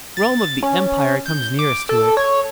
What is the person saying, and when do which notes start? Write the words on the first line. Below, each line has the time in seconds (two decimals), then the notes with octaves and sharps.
"Rome of the Empire comes nearest to it...."
0.17 A6
0.63 C#4
1.26 G6
1.59 D6
1.89 A4
2.17 C#5